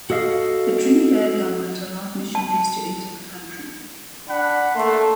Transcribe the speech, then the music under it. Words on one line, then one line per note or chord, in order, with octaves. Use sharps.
The Trinidad government allowed missionaries to enter the country.
F#4 A4 D#5 F5
A5
D4 F#5 B5
A3 A#3 C6